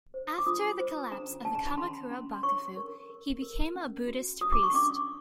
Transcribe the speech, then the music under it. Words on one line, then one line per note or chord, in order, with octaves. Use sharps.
After the collapse of the Kamakura bakufu, he became a Buddhist priest.
C5
D6
F4 D#6
C5
C#4 A#5
C#4 A5
A#5
B5
C#4 C6
C#4
C6
C#5 C#6
A#4
A#4
A#4
C#4
F#4
F#4 D#6
D6
C#6
C#4 D6